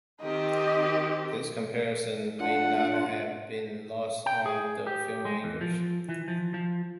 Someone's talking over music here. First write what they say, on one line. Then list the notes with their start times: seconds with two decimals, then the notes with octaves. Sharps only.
This comparison may not have been lost on the filmmakers.
0.21 D#3 C4 G4 D#5
2.40 D4 F4 F#5
4.26 G5
4.46 G#4
4.87 G4
5.25 G#3
5.44 E2
5.61 F3
6.09 E3
6.28 F3
6.54 F3